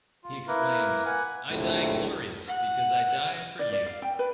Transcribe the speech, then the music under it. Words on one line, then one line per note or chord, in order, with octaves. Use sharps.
He exclaims: I die glorious because I die for you!
F4
A#3 E4 A#4 B4
B4 F#5 G#5
A#1 F2 A2 C3 F#3 A3
F#5
D5
D5
F5
G5
B4